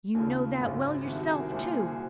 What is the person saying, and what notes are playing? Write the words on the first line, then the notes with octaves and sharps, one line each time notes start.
You know that well yourself, too.
D#2 C#3 F4
G#1 F#2 C#3
C2 C3 D#3 F#4
F#4
G#4
A#4
C2 A#2 C5
A#4
G#4
F#4